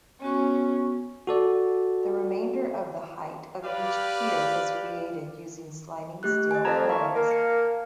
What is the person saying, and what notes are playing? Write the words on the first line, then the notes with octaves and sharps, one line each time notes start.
The remainder of the height of each pier was created using sliding steel forms.
B3 C#4 F#4 C#6
F#4 A4 D5
G4 B4 D5 F5
A3 G4 F#6
D#5 G#5
F2 A5 A#5 G#6
E3 A#3 F5 C#6
A#3
C#7